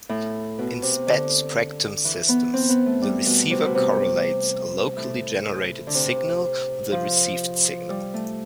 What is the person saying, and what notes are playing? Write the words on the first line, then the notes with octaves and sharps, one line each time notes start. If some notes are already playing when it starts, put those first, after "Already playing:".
In spread-spectrum systems, the receiver correlates a locally generated signal with the received signal.
A2
B2
C3
D3
E3
B3
C4
B3
A3
G3
B2
C3
B2
C3
A2
D3
C3
F3
G3
A3